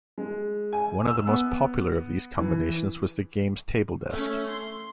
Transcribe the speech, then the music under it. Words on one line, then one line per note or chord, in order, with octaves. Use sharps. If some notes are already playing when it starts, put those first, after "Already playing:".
One of the most popular of these combinations was the games table desk.
G#3
G#5
E6
B3
E3
A3 C#4
C6